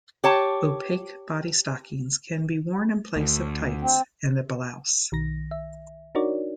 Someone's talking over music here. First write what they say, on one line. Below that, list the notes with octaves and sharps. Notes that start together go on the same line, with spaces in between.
Opaque bodystockings can be worn in place of tights and a blouse.
G4 C#5 A5
D2
C4
B1 D#3 A#6
E5
D4 D#4 F#4 A#4 C#5 D5